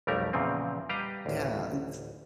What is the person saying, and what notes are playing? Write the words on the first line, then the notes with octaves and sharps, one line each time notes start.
Yeah, it's
B1 F2 G3 A3 G4 A#4
E2 A#2 C#3 F3 C4
G3 G4 B4 D#5 F5 A#5
A1 D2